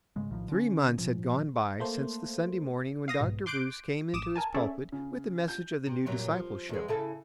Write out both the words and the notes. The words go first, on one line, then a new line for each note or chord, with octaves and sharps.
THREE months had gone by since the Sunday morning when Dr. Bruce came into his pulpit with the message of the new discipleship.
G#2 C#3 G#3
A#1 A2 D#3 F3
D3 C#4
A#2 F3
A3 A#3 C5
F5 D#6 A#6
B1 G#2 B2
C6 D6 F#6 G6 D7
A1 D6 D#6 E7
A#4 G#5 A5
C#4 G#4 A4 C#5 D5 E5
C#3
G6
C3
F#2 A#2 F#3
F3
E2 G#3
C#3 E4 A4